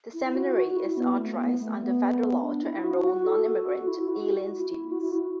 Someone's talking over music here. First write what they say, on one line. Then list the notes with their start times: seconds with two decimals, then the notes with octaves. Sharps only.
The seminary is authorized under federal law to enroll nonimmigrant alien students.
0.14 E4
0.34 F#4
0.56 F#4
0.76 E4
0.97 B3
1.18 A3
1.38 B3
1.60 A3
1.80 B3
2.42 D4
2.63 E4
2.84 F#4
3.04 F#4
3.25 A4
3.46 F#4
3.67 F#4
3.87 E4
4.08 F#4
4.29 F#4
4.60 E4
4.91 F#4
5.01 E4
5.12 F#4